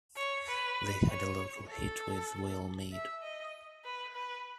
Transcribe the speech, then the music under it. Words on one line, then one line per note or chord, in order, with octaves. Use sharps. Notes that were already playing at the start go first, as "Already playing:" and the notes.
They had a local hit with "We'll Meet".
C#5
B4
C#5
A4
E5
D#5
B4
B4